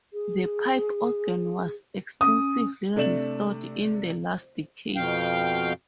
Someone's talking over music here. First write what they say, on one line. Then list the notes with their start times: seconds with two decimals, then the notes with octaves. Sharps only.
The pipe organ was extensively restored in the last decade.
0.13 G#4
2.21 C#4 D#6
2.96 C3 A3 D4 D5 E7 F#7
4.96 F2 B2 F5 G5